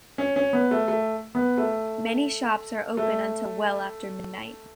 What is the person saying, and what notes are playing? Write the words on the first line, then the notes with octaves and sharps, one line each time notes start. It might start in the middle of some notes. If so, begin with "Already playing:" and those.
Many shops are open until well after midnight.
C#4
C#4
B3
A3
A3
B3
A3
A3